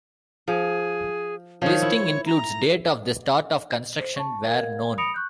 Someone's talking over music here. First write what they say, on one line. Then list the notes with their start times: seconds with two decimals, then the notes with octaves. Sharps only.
Listing includes date of the start of construction where known.
0.48 F3 G#4
1.62 D#3 F3 C#5
1.82 E4
2.26 A#5
3.99 C5
4.16 A5 C#6
4.46 A#4 F5 G#6
4.98 B5 D#6 A#6 C#7 D7 F7
5.14 C#6 F#6 G6